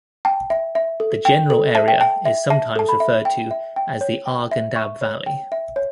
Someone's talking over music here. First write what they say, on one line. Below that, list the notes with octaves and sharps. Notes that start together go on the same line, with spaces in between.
The general area is sometimes referred to as the Arghandab Valley.
G5 A5
E5
E5
A4
G5
A4
E5 A5
G5
G5 A5
E5
E5 A5
A4 A5
B5
E5
G5
E5
G5
C#5
G5
E5
E5 C#6
C#5
G5
E5
C#5